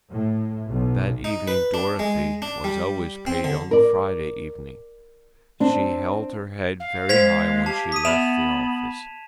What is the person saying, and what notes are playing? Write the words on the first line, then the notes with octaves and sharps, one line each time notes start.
That evening, Dorothy was always paid on the Friday evening, she held her head very high when she left the office.
A2
B1
D#4
B4
D4
G#3
D4
G3
C4
D3
A#4 D5
C4 D4
F5
G#3 C5 G#6 B6 F7
G4 A5
D#6 B6 D#7
B3 E5 B5 E7 F7